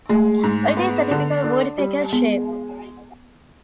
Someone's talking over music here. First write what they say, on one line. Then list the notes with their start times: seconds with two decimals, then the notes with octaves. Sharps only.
It is a typical woodpecker shape.
0.09 G#3 A3
0.43 G#2
0.77 B3
1.11 D3
1.44 D4
1.78 G3
2.12 G#3 B3